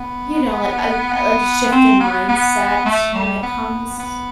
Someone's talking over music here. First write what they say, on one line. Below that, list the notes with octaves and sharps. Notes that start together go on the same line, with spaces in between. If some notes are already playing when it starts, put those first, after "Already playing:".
you know, like, um uh, like a shift in mindset when it comes
Already playing: B3
B3
C4
B3
B3
A3
G3
B3
B3